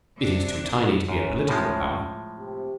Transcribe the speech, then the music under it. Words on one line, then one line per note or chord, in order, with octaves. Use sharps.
It is too tiny to be a political power.
C3 D4
F#2 C#4
A2 F3 G#3
C3